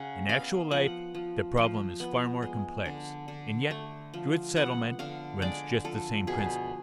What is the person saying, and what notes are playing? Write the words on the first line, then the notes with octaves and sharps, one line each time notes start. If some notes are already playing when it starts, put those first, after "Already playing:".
In actual life the problem is far more complex, and yet, through its settlement runs just the same principle.
Already playing: C#3 F#5
B3 F5
F3 F#5
F3
F3
B3
G#3
D3
D3
A3
F3
B3 F#5
D3 F5
G#3 D5
F3 A4
B2 G#4